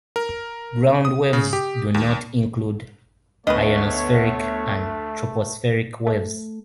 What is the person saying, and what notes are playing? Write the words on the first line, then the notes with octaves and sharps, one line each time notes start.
Ground waves "do not" include ionospheric and tropospheric waves.
A#4
D#6
C#3
G4
D#2
D2 A3 B3 B4 C#5 D#5
A3